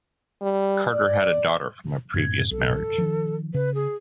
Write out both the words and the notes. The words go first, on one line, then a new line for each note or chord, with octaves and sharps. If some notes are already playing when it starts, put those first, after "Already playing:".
Carter had a daughter from a previous marriage.
G3
D5
F#2 A2 C3 G#6
B1 A4
D#3 F3
C#3 B4
G#4